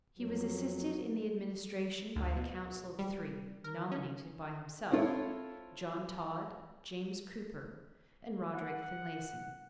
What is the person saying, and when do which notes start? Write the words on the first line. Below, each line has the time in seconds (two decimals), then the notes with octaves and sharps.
He was assisted in the administration by a council of three, nominated by himself--John Tod, James Cooper, and Roderick Finlayson.
0.19 F2 F#3
2.16 D2
2.37 B2
2.99 G3
3.64 A#4
3.92 C#4
4.91 C4 E4 F4 A4 C#5
8.55 F#5